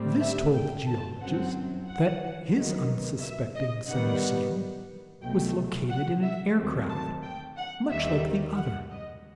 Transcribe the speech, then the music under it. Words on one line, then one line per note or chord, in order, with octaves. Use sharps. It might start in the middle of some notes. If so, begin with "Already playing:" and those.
This told the geologist that his unsuspecting Sanusian was located in an aircraft much like the other.
Already playing: A2 G3 C4
E5
G5
A5
G1 F#2 F#3 C4 F#5
F#5
D#2 D#3 F#3 B3
E5
D#5
G2 D#3 G3 B3 F#5
C2 B2 F#3 A3 G5
F#5
E5
D#2 D#3 F#3 A3 C4
A5
G5
F#5
D#2 D#3 G3 E5
F#5
D#5